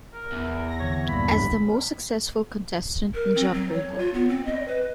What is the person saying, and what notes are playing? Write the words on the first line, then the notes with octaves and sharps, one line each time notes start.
As the most successful contestant in Jeopardy!
A#4
E2
A#6
F2 D3 E3 C#5
A#1 G2 D3 A#3 B5
F2 A2
A#4
C4
F#3
C#5
F4
B3
C4
D#5
B4